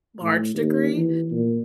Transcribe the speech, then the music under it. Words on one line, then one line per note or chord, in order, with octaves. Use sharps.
large degree,
A2
D#2
E3
A#2